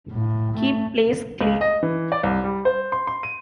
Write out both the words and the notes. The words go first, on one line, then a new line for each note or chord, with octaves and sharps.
Keep place clean!
A2
A3
C#2
D#5
E3
D5
C2
G3
C5
C6
C6
D#7